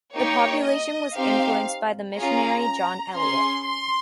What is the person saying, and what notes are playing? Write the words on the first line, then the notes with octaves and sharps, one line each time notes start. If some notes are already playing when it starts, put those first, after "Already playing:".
The population was influenced by the missionary John Eliot.
A#3 D#4 G4 C#5
D#5
C4 D#4 G4 F5
C#4 F4 G#4 A#5
C#4 G#4 C6
C6